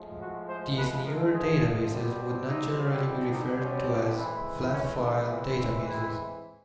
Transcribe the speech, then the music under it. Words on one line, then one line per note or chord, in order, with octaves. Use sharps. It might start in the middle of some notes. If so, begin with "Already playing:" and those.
These newer databases would not generally be referred to as flat-file databases.
Already playing: A2 F3 G#3
F#4
C5
B4
A#4
G#4
B2 G3 C4
D#4
E4
D#4
C#4
E3 G#3 C4
C#4
D4
E4